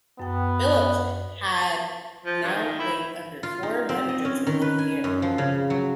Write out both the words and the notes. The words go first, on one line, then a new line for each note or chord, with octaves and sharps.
Phillips had now played under four managers within a year.
F#2 B3 G5
F3
G2
D#3
E4
F4
D#4
C4
D#5
C#4
D#3
B4
G#5
F#2
F3
C#3
F#3